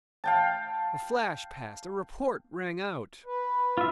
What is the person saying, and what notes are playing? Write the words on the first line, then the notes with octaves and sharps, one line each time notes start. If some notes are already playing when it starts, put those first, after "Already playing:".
A flash passed, a report rang out.
F5 G5 A5
B4
F4 E5